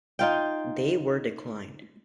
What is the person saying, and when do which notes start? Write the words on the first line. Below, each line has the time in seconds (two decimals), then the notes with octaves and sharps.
They were declined.
0.19 D#4 F4 G5